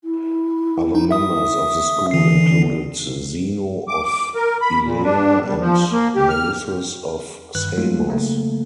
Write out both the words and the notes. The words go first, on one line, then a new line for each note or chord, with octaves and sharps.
Other members of the school included Zeno of Elea and Melissus of Samos.
E4
D#4
E5 D#6
D3 E3 C7
D6
D6
A#4
B5
A#2
D4
G3
F3
A#3
G4
F6
G2 D#3 B4 F#6
G3 A3 A#3 D#4 F4
C#3 F#3 A3 A#3